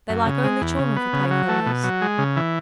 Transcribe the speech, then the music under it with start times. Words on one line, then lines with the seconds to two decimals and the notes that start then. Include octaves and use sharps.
They like only children for playfellows.
0.09 F#2
0.26 C#3
0.44 G#3
0.61 E2
0.79 C#3
0.96 B3
1.13 C#3
1.31 F#3
1.49 A3
1.66 B2
1.84 F#3
2.01 G#3
2.18 C#3
2.36 E3